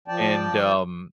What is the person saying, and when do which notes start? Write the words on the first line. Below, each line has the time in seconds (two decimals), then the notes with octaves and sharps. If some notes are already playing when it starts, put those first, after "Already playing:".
And, um,
0.08 F3 D5 G5 A5